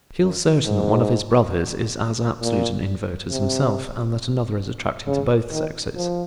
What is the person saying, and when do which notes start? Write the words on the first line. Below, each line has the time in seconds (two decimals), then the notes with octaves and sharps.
He feels certain that one of his brothers is as absolute an invert as himself and that another is attracted to both sexes.
0.20 F#2
0.65 G#2
2.41 A#2
3.31 C3
5.07 C#3
5.51 D#3
5.96 F3